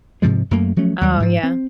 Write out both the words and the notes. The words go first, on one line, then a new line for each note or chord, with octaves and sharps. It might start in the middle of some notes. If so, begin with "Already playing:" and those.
Oh yeah.
G#2 C3 F3 G#3
F#2 F#3 A3 A#3
F3 F#3 A3 C#4
D#2 F#3 G3
G#2 F3
C4